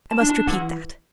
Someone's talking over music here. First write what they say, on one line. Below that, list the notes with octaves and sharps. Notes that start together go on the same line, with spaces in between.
"I must repeat that."
A5
D4
A5
E3 F#5